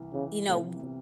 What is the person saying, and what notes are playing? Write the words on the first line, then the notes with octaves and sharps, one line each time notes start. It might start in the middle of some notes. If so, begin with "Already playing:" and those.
You know, w
Already playing: C2 E3
C#3 E3
A2 C3
C3